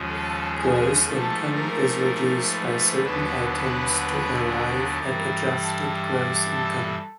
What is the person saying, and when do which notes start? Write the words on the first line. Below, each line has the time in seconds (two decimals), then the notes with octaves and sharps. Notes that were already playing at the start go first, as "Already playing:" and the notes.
Gross income is reduced by certain items to arrive at adjusted gross income.
Already playing: D#2 C#3 F3 G#3
0.09 A4
0.58 G#4
1.07 G#2 F3 A3 A4
1.56 A#4
2.54 B4
3.03 D#2 D3 F#3 B3 D4
3.52 B4
4.50 A#4
4.99 G2 E3 G3
5.47 A4
6.46 A4